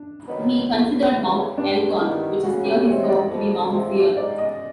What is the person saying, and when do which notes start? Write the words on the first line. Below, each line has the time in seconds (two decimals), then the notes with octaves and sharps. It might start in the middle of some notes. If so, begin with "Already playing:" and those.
He considered Mount Elgon which is near his home to be Mount Zion.
Already playing: D4
0.28 D#3 F#3 B3 D#4
0.71 C#2
1.14 C#3 E3 G3
1.57 G2 D4
2.01 D#3 G3 B3 E4
2.43 C#3 F#4
2.65 G4
2.87 E3 G#3 C4 E4 C#5
3.03 D#5
3.09 D5
3.30 F2
3.73 C3 F3 G#3 C4
4.17 G#2 D5
4.38 D#5